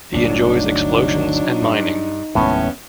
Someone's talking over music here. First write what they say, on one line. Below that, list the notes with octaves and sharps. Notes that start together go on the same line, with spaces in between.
He enjoys explosions and mining.
G1 D2 C3 F#3 D4 D#4
G2
F1 D#2 A2 G#3 B3 C#4